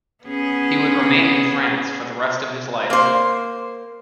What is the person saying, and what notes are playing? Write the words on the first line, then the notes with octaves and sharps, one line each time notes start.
He would remain in France for the rest of his life.
B3 C#4 G#4
A#3 C5